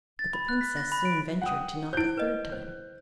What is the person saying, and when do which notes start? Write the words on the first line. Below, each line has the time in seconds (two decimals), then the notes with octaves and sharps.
But the princess soon ventured to knock a third time.
0.19 A6
0.33 B5
0.49 F#6
0.61 B6
0.77 A#6
0.92 B5
1.05 D7
1.42 F#5 G5 D#6
1.93 E4 C5 G6 D7
2.17 B4 D#5
2.52 C5